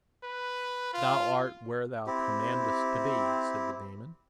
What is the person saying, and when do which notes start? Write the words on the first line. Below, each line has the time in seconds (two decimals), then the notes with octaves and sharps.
"Thou art where thou commandest to be," said the Demon.
0.23 B4
0.93 F4
2.07 C4 E4 G4